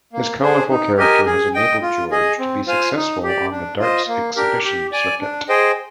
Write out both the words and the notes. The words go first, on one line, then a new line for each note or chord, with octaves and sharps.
His colourful character has enabled George to be successful on the darts exhibition circuit.
A#3
D4 G#4 C5
D#4
G4 A#4 D#5 G#5
G#4
D#5 G5
F4
G#4 D#5
C4
F4 C5 F5 G#5
D#4
G4 D5
D4
F4 C5 D#5
A#3
D4 G4 A#4
G4
D5 G#5
D4
G#4 C5 D#5 G5